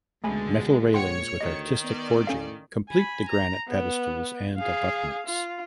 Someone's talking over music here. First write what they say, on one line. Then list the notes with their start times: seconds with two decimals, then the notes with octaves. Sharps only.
Metal railings with artistic forging complete the granite pedestals and abutments.
0.24 C#2 B2 D3 G#3 A3 G#5 B5
0.94 A#2 C#5 F#5 G5 C6 C#7
1.41 D2 D#3 D#5
1.84 B3 D5
2.27 A2 C#4 A4 F5
2.89 G#5 B5
3.29 A#5
3.69 B3
4.57 G#4 F5
5.26 F4